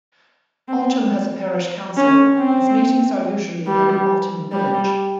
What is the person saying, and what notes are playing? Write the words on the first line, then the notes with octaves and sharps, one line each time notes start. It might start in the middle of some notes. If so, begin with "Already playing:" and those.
Altham has a parish council; its meetings are usually in Altham village.
C4
C#4
C4
G3
G3